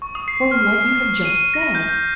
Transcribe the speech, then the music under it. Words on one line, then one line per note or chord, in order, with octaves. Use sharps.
"For what you have just said."
C#6
D#6
C7
F6
C7
D#7
A#6
G6